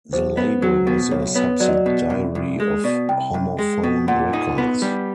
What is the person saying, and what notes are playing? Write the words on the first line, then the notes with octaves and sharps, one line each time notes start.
The label was a subsidiary of Homophone Records.
B1 C5
B3
F#3
B2
B1 C#5
B3 C#5
F#3 D5
D#5
D5
B2
C2
C2
G#3
B2 D5
C2 G5
C2
G#3
B2
A#2 F#5
D#4
B3
G3